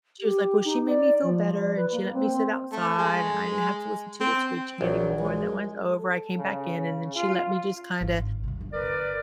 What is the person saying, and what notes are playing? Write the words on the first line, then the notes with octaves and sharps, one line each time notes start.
she was like, "Well, she made me feel better, and she let me sit outside, and I didn't have to listen to the screeching anymore and then when it's over I came back in and then she let me just kinda,
G4
D#4
D5
F3
D5
B4
A#3
C4
A3
G#3
C4
A#1 F#3
G#3
A4
C#3
C#3
F4
G#1
D#2 C3
G1
A#4 B4 D5